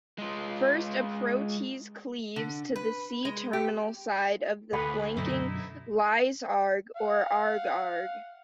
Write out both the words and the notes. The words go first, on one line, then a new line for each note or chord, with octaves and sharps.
First, a protease cleaves to the C-terminal side of the flanking Lys-Arg or Arg-Arg.
G#3 F4
D3
B4
G#3
G4
D2 D4 G#4 A4 B4 G5 B5
F#2 B2 D3 D#4 E4
F5 F#5